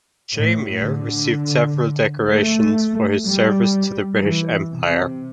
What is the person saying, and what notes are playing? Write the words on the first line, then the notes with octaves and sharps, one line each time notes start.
Chamier received several decorations for his service to the British Empire.
A2
D3
A3
G3
E3
C3